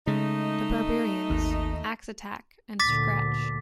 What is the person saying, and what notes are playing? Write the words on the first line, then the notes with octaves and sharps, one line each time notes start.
"The Barbarians", "Axe Attack" and "Scratch".
C#3 G#3 A3 D#4
G#1 D#2
D2 A#2 D3 D6 A6 B6